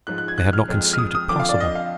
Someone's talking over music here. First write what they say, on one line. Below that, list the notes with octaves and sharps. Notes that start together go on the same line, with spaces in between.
They had not conceived it possible.
G#2 F3 G#3 F#6
F#6
G#6
F#6
F6
F2 F3 G#3
F6
D#6
D#6
F2 D3 F3 D6
F5
D5
D#5
F5